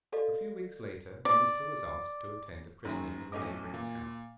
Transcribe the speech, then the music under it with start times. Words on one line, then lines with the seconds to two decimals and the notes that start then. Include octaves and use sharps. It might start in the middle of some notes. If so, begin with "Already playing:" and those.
A few weeks later the minister was asked to attend a christening in the neighbouring town.
0.12 F#4 A4 D5 D#5 F5
1.25 D5
2.85 F#1 F#2 D#3
3.32 B1 A2 A3 C#4 D#5 D6
3.73 A#2